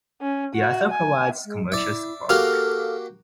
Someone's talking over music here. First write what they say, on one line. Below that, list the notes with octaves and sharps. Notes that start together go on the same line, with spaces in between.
The author provides commercial support.
C#4
F#4
G#5
G#3
E4 D5 E5
A#3 F#4 G4 A4 F5 F6